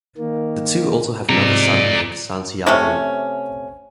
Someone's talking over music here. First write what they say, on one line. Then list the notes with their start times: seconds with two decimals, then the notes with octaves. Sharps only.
The two also have another son named Santiago.
0.18 D#3 A#3
1.29 G#2 C3 F3 G#3 D5 A#5
2.66 C3 A3 C#4